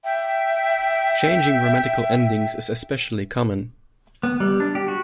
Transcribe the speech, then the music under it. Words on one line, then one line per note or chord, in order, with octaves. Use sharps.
Changing grammatical endings is especially common.
E5 G5
B3
G3
D4
G4
F#4